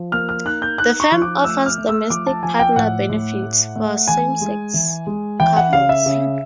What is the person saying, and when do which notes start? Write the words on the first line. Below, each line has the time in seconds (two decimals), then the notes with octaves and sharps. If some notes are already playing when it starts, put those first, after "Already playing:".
The firm offers domestic partner benefits for same-sex couples.
Already playing: F3
0.12 A#3 F6
0.29 F6
0.45 D#4 F#6
0.62 G6
0.78 D#4 F#6
1.00 C#6
1.12 F3
1.22 D6
1.44 A3 E6
1.66 F6
1.78 A3
1.89 E6
2.10 F3 D6
2.27 A5
2.43 F3 G#5
2.59 G5
2.76 A2 F#5
3.09 A2
3.42 A3
3.76 A3
4.08 E3 G#5
4.41 G#3
4.74 E3
5.07 G#3
5.40 E3 G5
5.57 F#5
5.73 C#3 F5
5.89 E5
6.06 C#3